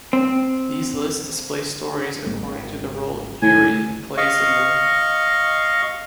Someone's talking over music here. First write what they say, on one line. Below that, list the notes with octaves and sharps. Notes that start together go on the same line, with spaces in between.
These lists display stories according to the role "yuri" plays in them.
C4
G#1
F1 A2 G#5
D#5 F5 C#6